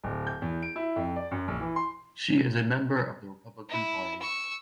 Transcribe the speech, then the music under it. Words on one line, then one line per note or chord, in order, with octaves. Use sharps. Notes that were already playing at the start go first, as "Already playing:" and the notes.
She is a member of the Republican Party.
D1
G6
E2
D7
E4
F2
D5
F#2
A#1
E3
C6
E4
C#6 E6